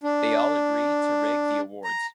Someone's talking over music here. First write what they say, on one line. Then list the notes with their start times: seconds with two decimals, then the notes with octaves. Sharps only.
They all agree to rig the awards.
0.04 D4
1.84 A#5